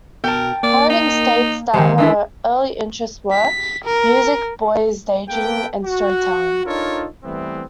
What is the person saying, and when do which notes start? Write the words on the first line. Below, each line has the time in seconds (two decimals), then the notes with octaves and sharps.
Harding states that her early interests were, "music, boys, daydreaming and storytelling".
0.24 B2 A#4 G5 A5
0.63 A#3 D5
0.90 D#4
1.73 C3 D#3 G#3
1.98 E3 G#3 D4 E4
3.32 B6
3.85 A#4
5.29 A#3 B3 A4 B4 G5
5.83 F#4
6.65 D4 D#4 F4 A4 A#4 C#5
7.24 E3 G3 A3 B3 C4